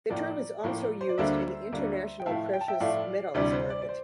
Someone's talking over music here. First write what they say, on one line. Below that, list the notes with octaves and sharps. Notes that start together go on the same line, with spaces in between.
The term is also used in the international precious metals market.
A2 F3 A#3 D5
A2 F3 A#3
C5
D5
D2 D3 G3 A#3 D4 C5 E5
D2 D3 G3 A#3 D4
G5
A2 F3 A3 E4 F5 A5
G5
A5
E5 G5
A2 F3 A3 E4 D5 F5
D2 C3 E3 G3 D5
C5
D5
D5
C5